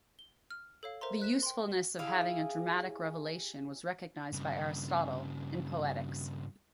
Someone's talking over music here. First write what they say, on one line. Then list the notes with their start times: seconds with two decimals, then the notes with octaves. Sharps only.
The usefulness of having a dramatic revelation was recognized by Aristotle, in "Poetics".
0.19 G7
0.50 F6
0.83 A4 C#5 F5
1.01 A#4 C5 E5 A#5 C6
1.20 C5 F#6 B6 E7
1.43 G5 C6
1.99 E4 G4 G#4 F5
4.33 G2 C#3